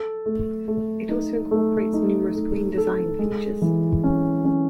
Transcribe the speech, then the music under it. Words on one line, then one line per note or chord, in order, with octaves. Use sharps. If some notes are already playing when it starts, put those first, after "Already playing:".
It also incorporates numerous green design features.
Already playing: A4
A3
A3
D#4
A3
D#4
A3
A4
G#3
E3
C#4
C#4